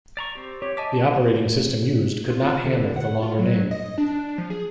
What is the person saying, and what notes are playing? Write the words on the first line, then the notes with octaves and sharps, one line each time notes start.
The operating system used could not handle the longer name.
D5 A#5 C#6
C4 G4
G4 C#5
D#5 E5 G#5 A5 D6
F4
D3
F#5
F4
F#3
D#5
D4
F3
G#4